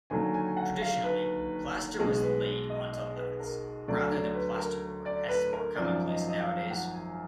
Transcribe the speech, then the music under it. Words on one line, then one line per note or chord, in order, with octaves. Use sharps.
Traditionally, plaster was laid onto laths, rather than plasterboard as is more commonplace nowadays.
D#2 D3 F#3 G#5
G#5
F#5
F5
B4
B1 B2 G#3
B4
D#5
D#5
B4
A#4
D2 D3 F#3 D5
D5
B4
A#4
D5
B4
A#4
G#1 F#2 F3 D5
D#5
D#5
F5
F#5
G#5